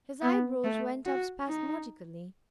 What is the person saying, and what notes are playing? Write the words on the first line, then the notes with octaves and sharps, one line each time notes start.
His eyebrows went up spasmodically.
B3
A3
F#4
D#4